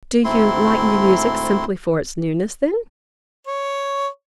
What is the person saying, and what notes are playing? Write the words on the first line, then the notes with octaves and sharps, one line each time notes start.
'Do you like new music simply for its newness, then?'
D2 G#2 A3 C4 E4 C6
C#5